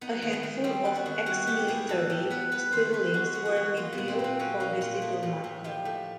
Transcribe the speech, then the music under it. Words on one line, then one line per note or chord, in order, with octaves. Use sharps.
A handful of ex-military Stirlings were rebuilt for the civil market.
B3 D#4
D#3
B3
D#3
G3 C4
B3
F#4
D#3
G3 F#4
B3 G4
A2 G#4
E3 A4
G3
B3 B4
B3 B4
D#3 C5
D#3 B4
G#3 F#4
B3
F#4
D#3
A#3 F4
B3
A#2
C4
A#2 C4
F#3 C#4
A#3 D#4
A#2 F4
A3
A2
A2
F3 G4
A3